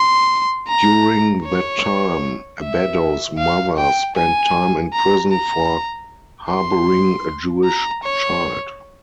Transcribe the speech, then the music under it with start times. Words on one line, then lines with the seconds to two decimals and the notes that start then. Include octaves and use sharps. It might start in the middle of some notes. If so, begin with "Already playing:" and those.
During that time, Abbado's mother spent time in prison for harbouring a Jewish child.
Already playing: C6
0.68 A#5
1.44 C#5
2.60 E5
3.39 F5
3.77 G5
4.15 G#5
4.93 A#5
5.32 A#5
6.49 C6
7.65 A#5
8.03 C#5